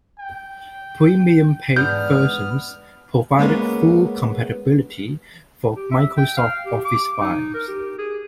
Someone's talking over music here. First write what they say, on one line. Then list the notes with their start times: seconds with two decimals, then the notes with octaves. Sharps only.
Premium paid versions provided full compatibility for Microsoft Office files.
0.19 G5
1.76 E2 G#2 B3 D4 F6 G6
3.39 G#3 A#3 B3 C#4
5.76 G4
5.91 E5
6.18 G5
6.37 F5
6.66 G4
6.85 D6
7.21 D#4
7.54 A#4
7.68 G4
7.98 G#4